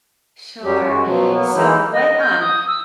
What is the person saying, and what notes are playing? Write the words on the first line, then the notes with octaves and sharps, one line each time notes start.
Sure. So what um,
F#2 F#3 G3 G4
F#2 G#3 F#4
B2 F3 F#3
F#3 A#3 B3
E3 G#3 A#3 D#4 E4
D#5
G6
D#6
E6